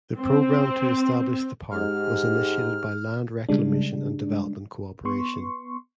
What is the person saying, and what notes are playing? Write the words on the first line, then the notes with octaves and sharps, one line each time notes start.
The program to establish the park was initiated by Land Reclamation and Development Cooperation.
C4
G#2 G4 F6
C#3 G3 G#3 D4
B3 C6 C#6